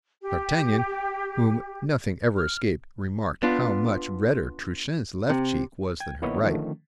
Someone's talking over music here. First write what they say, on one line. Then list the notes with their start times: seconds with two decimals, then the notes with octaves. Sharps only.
D'Artagnan, whom nothing ever escaped, remarked how much redder Truchen's left cheek was than her right.
0.22 G4
2.36 F6
3.43 B3 D4 F4
5.29 C3
6.00 G5 G#6
6.22 D#3 A#3 B3 E4 C#5 D#5
6.43 D3 D#3 F3 A3 C#4